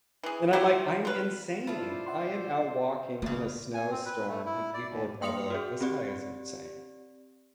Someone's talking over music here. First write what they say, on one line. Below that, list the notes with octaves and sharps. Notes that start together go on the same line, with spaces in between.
and I'm like, "I'm insane." I am out walking in a snowstorm, and people are probably like, "This guy is insane."
E3 G#4
E4 F#4 G4 C5
F4 B4
B2 E4 F4 C5 D5 A5 B5
E5 F#5 C6
E2 C#3 A#3
G#5
C4
B4
A3
E4
D5
D#2
A#3 G5 C6 D#6 C#7 F7
F#4 G#4
C4 G4 D5